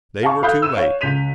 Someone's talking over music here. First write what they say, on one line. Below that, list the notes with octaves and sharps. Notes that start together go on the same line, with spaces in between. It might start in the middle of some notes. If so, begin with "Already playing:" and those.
They were too late.
F5 G#5 A5 C#6
A4 F5 B5 D#6 F#6 G6
E6 D#7 E7
C#5 F5
C#2 G6 B6 D#7 F7